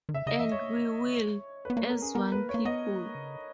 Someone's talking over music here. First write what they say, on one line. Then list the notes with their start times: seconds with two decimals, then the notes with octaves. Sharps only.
And we will, as one people.
0.09 D#3
0.14 C#3 E5
0.26 C#3 D#5
0.38 E3 E5
0.52 C#5
1.65 B4
1.70 B3
1.77 A#3 C#5
1.90 B3 A#4
2.02 C#4 G#4
2.15 B3 A#4
2.32 B4
2.41 A#3
2.49 C#5
2.54 A#3
2.65 B3 D#5
2.90 A#3
3.15 C#3